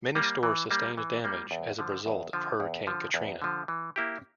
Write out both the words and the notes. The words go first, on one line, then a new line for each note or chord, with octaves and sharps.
Many stores sustained damage as a result of Hurricane Katrina.
G3 A#3
E3
G3 A#3
E3
G3 A#3
E2
D3 F3
E2
D3 F3
E2
D3 F3
E2
D3 F3
E3
A#3 E4 G4